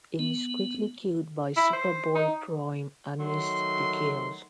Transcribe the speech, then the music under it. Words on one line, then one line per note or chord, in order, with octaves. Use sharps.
He is quickly killed by Superboy-Prime amidst the chaos.
B3
E4
C5
D#4
D#3 F#3 A3 C6